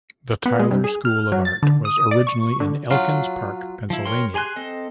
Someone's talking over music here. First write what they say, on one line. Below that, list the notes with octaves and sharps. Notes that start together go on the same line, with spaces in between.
The Tyler School of Art was originally in Elkins Park, Pennsylvania.
B3
G#3
G2
G#4
F6
F#3
A6
D3
D#6
D5
C#6
D3
F#3 F4
F3 E4
A#4 C#5 G5 C6
G4 G#4 G#5 C6 F#6
C4 A4 D#5